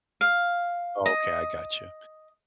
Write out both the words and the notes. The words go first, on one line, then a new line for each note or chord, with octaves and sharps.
Okay, I gotcha,
F5
D#5